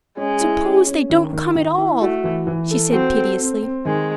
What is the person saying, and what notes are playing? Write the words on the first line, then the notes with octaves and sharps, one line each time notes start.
"Suppose they don't come at all?" she said piteously.
G#3 C#4
E4
C#4
C#4
D#3
D#3
D#3
E4
A3 F#4
E3
E3
A4
C4 F#4
A4
C4
C4
D#3 G#3